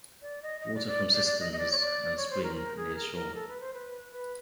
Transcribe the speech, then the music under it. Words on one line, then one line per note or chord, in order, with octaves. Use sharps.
Water from cisterns and spring near shore.
D5
D#5
D#5
D5
D5
D5
D5
D#5
D#5
D5
C#5
D5
C#5
C5
A#4
A#4
G#4
A#4
A#4
A4
B4
C5
B4
B4